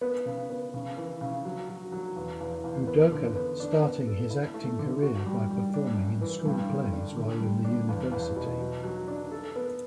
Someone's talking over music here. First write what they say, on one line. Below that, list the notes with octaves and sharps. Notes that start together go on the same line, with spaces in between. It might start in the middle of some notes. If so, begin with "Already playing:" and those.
Udoka starting his acting career by performing in school plays while in the University.
B3
C#3
B3
C#3
E3
C#3
F#3
F#3
F#3
E2
E2
E2
B3
D3
B3
D4
B3
A4
E4
A3
D3
F#4
G3
G3
D4
F#2
E3
G2
D3
D4
D3
G3
D4
E2
E2
B2
F#3
F#3
D4
A4
B3